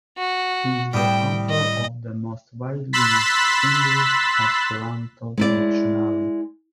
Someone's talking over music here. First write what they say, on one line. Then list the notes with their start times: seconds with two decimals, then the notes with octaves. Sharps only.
He is the author of the most widely used English-Esperanto dictionary.
0.18 F#4
0.93 A2 G3 C4 G5 D#6 E7
1.49 D#5
2.93 B5 C6 E6 F#6 A6 B6
5.38 G#3 E4 D5